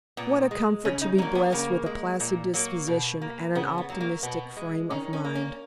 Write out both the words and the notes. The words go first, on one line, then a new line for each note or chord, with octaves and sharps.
What a comfort to be blessed with a placid disposition and an optimistic frame of mind!
A#2 B3
G#3
C#3 C#4
D#4
F#3 A#3 C#4
B3
C#3 A#3
G#3
A#2
F#3 A#3
B2
A#3
C#3 B3
B3
F#3 A#3
A#3
B2 B3
G#3
D#3 C#4
C#4
A#3
C#4